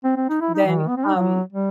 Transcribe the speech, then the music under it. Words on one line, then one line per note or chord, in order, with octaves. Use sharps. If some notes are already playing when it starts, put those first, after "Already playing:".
then, um,
C4
C4
D#4
E4
D#4
E3
D#3
B3
C4
D#4
F#3
G3